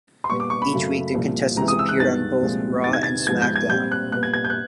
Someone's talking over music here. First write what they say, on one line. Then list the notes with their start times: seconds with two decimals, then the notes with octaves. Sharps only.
Each week, the contestants appeared on both "Raw" and "SmackDown!".
0.24 C6
0.30 A#2 G3 B3 C#6
0.40 D6
0.50 C#6
0.62 B5
0.72 F#2 C#3 F#3 A3
1.14 C2 A#2 F3
1.57 C#2 C3 E3 A#5
1.68 D#6
1.79 E6
1.89 F#6
2.00 G2 D#3 G#3 B3 A6
2.42 C2 A#2 F3 G#3 C4
2.84 E2 C3 D#3 A6
2.93 G#6
3.03 A6
3.27 G#2 F3 G#3 B3 G#6
3.42 G6
3.56 G#6
3.69 A#2 G3 C4 G6
3.92 F#6
4.12 A#2 G3 B3 F#6
4.23 G#6
4.34 G#6
4.45 G6
4.50 F#6